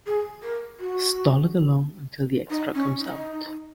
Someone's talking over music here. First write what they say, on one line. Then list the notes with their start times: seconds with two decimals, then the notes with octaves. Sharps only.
Stall it along until the extra comes out.
0.06 G#4
0.42 A#4
0.79 F#4
2.50 D#4
2.74 C#4
2.98 D#4